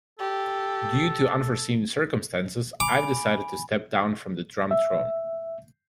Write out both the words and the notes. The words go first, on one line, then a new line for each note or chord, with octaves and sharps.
Due to unforeseen circumstances, I've decided to step down from the drum throne.
G4 A4
G#5 B5 D6
E5